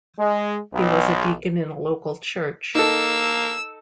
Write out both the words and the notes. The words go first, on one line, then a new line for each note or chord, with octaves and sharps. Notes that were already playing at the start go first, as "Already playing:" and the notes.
He was a deacon in a local church.
G#3
B1
A#3 D#4 A4 E6